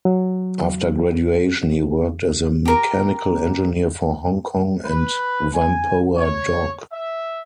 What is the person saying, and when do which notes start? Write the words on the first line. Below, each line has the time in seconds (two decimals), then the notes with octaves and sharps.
After graduation, he worked as a mechanical engineer for Hong Kong and Whampoa Dock.
0.05 F#3
2.65 G4 A#4 A#5
4.86 B4
5.53 G#5
6.17 C#5
6.92 E5